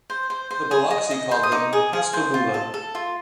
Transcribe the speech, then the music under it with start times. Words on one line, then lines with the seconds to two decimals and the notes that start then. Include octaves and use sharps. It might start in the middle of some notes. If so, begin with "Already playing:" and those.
The Biloxi called them "Pascoboula".
0.10 C5
0.30 C5
0.51 C5
0.71 G#4
0.91 D#5
1.11 D#5
1.31 C5
1.43 D#6
1.52 D#4 D6
1.73 G#4
1.93 G#4
2.13 C5
2.34 F4
2.54 A4
2.74 A4
2.95 F4